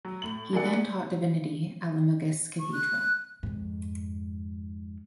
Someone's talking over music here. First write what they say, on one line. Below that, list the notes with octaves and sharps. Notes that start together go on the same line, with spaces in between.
He then taught divinity at Limoges Cathedral.
F#3
A2 F#7
F#3 A#3 D4 G#4 D5 F#5
C#6
F#6
F2 G#2